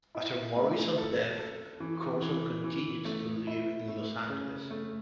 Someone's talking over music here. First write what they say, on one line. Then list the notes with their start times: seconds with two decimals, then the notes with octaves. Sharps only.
After Morrison's death, Courson continued to live in Los Angeles.
0.15 E4
0.56 A3
0.98 A4
1.39 A4
1.80 E3
2.22 E3
2.64 E3
3.05 A3
3.47 E4
3.88 A3
4.29 C#3
4.71 A3